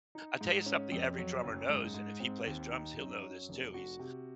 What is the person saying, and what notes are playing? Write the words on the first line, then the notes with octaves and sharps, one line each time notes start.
I'll tell you something, every drummer knows, and if he plays drums, he'll know this too. He's,
D#4
G#2
C#4
F2
F#3
F#1
G#2
G#2
C4
D#2
D#4
F#2
F#3
F1
F#4
C3